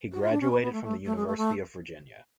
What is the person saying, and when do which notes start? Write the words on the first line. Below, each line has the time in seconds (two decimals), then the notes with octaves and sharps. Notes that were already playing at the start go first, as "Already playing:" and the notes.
He graduated from the University of Virginia.
0.11 F#4
0.21 F4
0.31 D4
0.40 C#4
0.50 B3
0.61 B3
0.72 A3
0.83 A3
1.05 A3
1.16 G#3
1.26 A3
1.37 A3